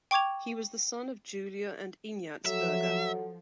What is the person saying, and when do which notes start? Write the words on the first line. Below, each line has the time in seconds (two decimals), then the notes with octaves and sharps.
He was the son of Julia and Ignatz Berger.
0.11 G5 C#6 D6 G#6 F7
2.46 F3 F#3 A4 E5 F#5